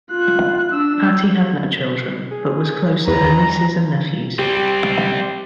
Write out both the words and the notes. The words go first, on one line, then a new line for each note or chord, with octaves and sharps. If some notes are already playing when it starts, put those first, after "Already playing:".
Patti had no children, but was close to her nieces and nephews.
F4 F#6
D4 E6
G#4
E2 B4 A#5
G3 C4 G4